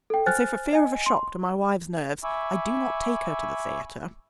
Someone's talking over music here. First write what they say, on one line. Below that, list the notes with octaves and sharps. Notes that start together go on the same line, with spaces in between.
And so for fear of a shock to my wife's nerves I do not take her to the theatre.
A4 G5
C5 G#5 F6 F#6 A6
D#5 G#5
C6
E5 G#5 B5 C#6 D6 E6